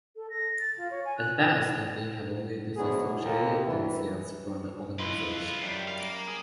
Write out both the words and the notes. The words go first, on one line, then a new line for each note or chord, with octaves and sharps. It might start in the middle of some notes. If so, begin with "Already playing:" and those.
At best they have only disassociated themselves from the organization.
A4
A#6
A6
F4
C#5
G#5
F#6
D2 B2 F#3 B3 G#4
D#2
D2 E3
E4 F4 B4 D#5 C6
F#2 G3 F4 G4
F5
A#3
G#4